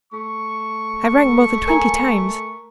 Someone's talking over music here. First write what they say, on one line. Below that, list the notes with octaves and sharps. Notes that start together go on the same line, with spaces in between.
I rang more than twenty times.
A3 C#6
A#4 G#5 A#5 C#7